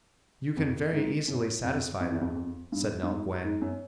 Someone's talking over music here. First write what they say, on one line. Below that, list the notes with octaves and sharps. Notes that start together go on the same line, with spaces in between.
"You can very easily satisfy them," said Nell Gwyn.
F2
G#2
F#2
F2
F2
E2
F2
F2
G2
G2
G#2
G#2
F#2